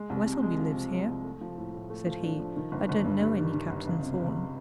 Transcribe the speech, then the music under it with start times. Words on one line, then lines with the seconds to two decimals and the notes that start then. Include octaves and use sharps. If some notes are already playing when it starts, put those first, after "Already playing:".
Westleby lives here,' said he; 'I don't know any Captain Thorn.'
Already playing: G#3
0.10 C2
0.26 C3
0.42 G#3
0.59 F3
0.75 C3
0.92 G#3
1.08 C2
1.24 A3
1.41 F3
1.58 A2
1.74 A2
1.90 A3
2.06 F3
2.23 D4
2.40 F3
2.56 D#3
2.72 G1
2.89 G1
3.04 G2
3.21 G3
3.38 D#3
3.54 D#3
3.70 G1
3.87 C#2
4.03 C3
4.20 C#2